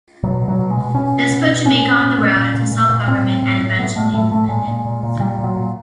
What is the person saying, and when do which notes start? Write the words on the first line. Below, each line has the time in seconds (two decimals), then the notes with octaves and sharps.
This put Jamaica on the road to self government and eventually independence.
0.23 B2 F#3
0.42 B2
0.48 F#3
0.59 B2
0.70 G#3
0.77 B2
0.94 B2 C#4
1.13 B2
1.31 B2
1.48 B2
1.65 A#2 C#4
1.83 A#2
2.01 A#2
2.18 A#2
2.36 A#2
2.54 A#2
2.71 A#2
2.89 A#2
3.07 A2 C4
3.25 A2
3.42 A2
3.60 A2
3.79 A2 B3
3.95 A2 A3
4.13 A2 A3
4.31 A2 A3
4.49 A#2 G#3
4.68 A#2
4.85 A#2
5.03 A#2
5.19 A#2 G3
5.38 A#2
5.44 F#3
5.56 A#2